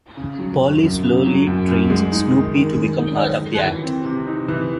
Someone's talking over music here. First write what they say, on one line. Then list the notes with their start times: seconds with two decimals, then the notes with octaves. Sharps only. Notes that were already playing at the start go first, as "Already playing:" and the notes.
Polly slowly trains Snoopy to become part of the act.
0.17 C#3
0.39 F#3
0.61 F#2
0.83 F#2
1.04 C#3
1.26 F#3
1.47 F#2
1.69 F#2
1.90 G#3
2.12 D#4
2.33 D#3
2.54 D#3
2.77 G#3
2.98 D#4
3.20 D#3
3.41 D#3
3.63 E3
3.83 C4
4.05 C3
4.26 D#4
4.48 E3